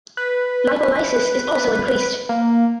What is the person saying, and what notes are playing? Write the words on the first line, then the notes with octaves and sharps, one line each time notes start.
Lipolysis is also increased.
B4
A#3